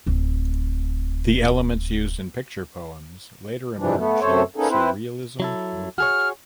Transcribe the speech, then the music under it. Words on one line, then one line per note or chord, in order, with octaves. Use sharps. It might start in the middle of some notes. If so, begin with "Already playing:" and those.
The elements used in Picture poems later emerged surrealism movement.
D1 C4
G#2 C3 E3 F3 D4
A3 B3
F#2 C3 A3 A4 C5 C#5
A#3 B3 C#4 D#4 G#4 A4
C4 E4 B4 C5
F#3 E4 A4
F#4 G#4 C#5 F6